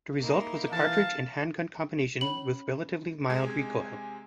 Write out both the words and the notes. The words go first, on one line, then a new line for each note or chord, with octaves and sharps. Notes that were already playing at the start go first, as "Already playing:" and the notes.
The result was a cartridge and handgun combination with relatively mild recoil.
A#3 D#4 E4
E3 F5 A5
C#4 C#5 B5 F#7
C3 G#3 G#5 G#6